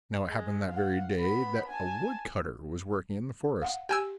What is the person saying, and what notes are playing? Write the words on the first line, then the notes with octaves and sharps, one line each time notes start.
Now it happened that very day that a woodcutter was working in the forest.
G#3
F5 F#5
B3 B5
G#5 A5
F5 F#5
G4 G5 G#5 E6